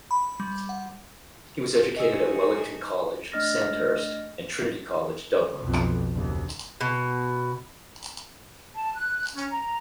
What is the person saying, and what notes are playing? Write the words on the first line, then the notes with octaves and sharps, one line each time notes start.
He was educated at Wellington College, Sandhurst and Trinity College, Dublin.
B5
G3
F#5
A3 D#4 F#4 G#4 D#5 E6
A3 D4 D#5 F6 A6 A#6
B1 F2
F#1 D#2
B2
A5
F#6
C#4
A#5